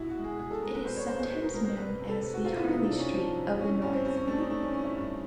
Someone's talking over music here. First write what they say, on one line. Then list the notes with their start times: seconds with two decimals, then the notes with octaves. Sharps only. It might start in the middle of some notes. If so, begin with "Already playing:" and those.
It is sometimes known as the "Harley Street of the North".
Already playing: B2 E4
0.09 F#4
0.17 G#3
0.24 G#4
0.39 B2 G#4
0.50 A4
0.62 G#3 A#4
0.74 B4
0.85 B2 C5
0.97 C#5
1.08 G#3 C5
1.19 C5
1.31 B2 B4
1.42 A#4
1.53 G#3 A#4
1.64 C5
1.76 C3 B4
1.99 C3
2.07 A4
2.22 C3
2.33 F#4
2.44 C3 F4
2.57 E4
2.68 C3 D#4
2.83 D4
2.91 C3
2.98 C#4
3.13 F3
3.36 C3
3.59 E3 C#4
3.82 G2 C#4
3.93 C4
4.04 G2 C#4
4.16 C#4
4.27 A3 D4
4.38 D#4
4.50 A3 D4
4.62 C#4
4.73 E3 C#4
4.84 E4
4.96 G2